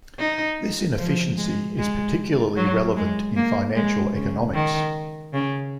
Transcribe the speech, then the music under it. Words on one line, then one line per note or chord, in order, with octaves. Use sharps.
This inefficiency is particularly relevant in financial economics.
D#4
F3
G#3
G#3
F#3
G#3
A#3
G#3
C#3
D#3
C#3